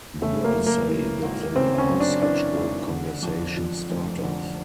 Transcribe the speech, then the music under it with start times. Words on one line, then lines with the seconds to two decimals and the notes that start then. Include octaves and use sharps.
The girls say that they are such good conversation starters.
0.22 C#3 A3
0.44 A#3
0.56 F#2
0.66 A#3
0.89 E3
1.22 G#1
1.56 C#3 C4
1.78 C#4
1.89 F#2
2.00 D4
2.23 E3 D4
2.57 G#1
2.90 D3
3.23 F2
3.57 F3
3.90 F1
4.23 D3